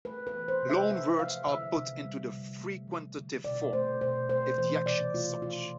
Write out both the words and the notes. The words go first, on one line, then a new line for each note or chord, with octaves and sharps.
Loanwords are put into the frequentative form, if the action is such.
A3 B4
B4
E3
C5
C3
E5
A3 E5
F3 F5
D3 E5
C3
G3
C3
A3
F3
D3
B2 D5
A3 C5
B2 C5
A3 C5
E3 C5
C3 D5
A3 F4
F3 F4